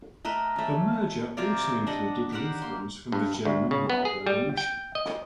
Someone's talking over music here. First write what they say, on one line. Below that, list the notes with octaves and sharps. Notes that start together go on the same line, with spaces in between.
The merger also included Lutherans from the German Marburger Mission.
A3 A#4 B4 D#5
A3 C#4
C3 F4 A#4 D5
D4 D#5 F#5
G4 A#4 C5 F#5
A#3 C6
G2
D2
C#3
B3
G#4
G3
G5
D#5